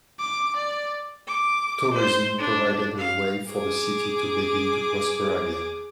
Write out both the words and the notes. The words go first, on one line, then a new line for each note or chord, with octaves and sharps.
Tourism provided a way for the city to begin to prosper again.
D6
D5
D6
C5
D4
F5
G#4 D6